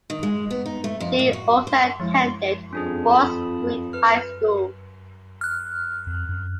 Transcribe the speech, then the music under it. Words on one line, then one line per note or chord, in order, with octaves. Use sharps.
She also attended Fort Street High School.
D#3
G#3
B3
D#4
A3
F2
A2
F#4
C5
F3 G#3 E4
F2 C#4 D4 G#4
A5 B5 D#6
B4 F6
F6 F#6
F2
F#2